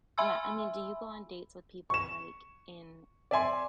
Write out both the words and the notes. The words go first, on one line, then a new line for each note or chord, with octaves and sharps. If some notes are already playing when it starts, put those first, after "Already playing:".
Yeah. I mean, do you go on dates with people, like, in
E5 G#5 B5 C6 E6
C#6 E7
D5 E5 G#5 C6